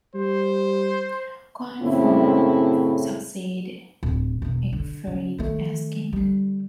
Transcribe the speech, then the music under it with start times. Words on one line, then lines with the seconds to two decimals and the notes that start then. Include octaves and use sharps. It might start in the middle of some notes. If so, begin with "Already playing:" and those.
Coenwulf succeeded Ecgfrith as king.
0.15 G3 C5
1.82 F#2 A2 C#3 A3 C4 E4
4.03 D1
4.42 E1 E2
4.73 D3
5.07 C#3
5.38 D#3 A3
6.13 D3 G3